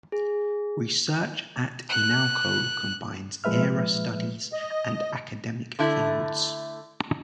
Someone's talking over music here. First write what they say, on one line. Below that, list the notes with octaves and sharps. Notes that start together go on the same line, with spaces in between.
Research at Inalco combines aera studies and academic fields.
G#4
F#6
A#2 F3 G#3 B4 E5 F6
D#5
D3 A3 E4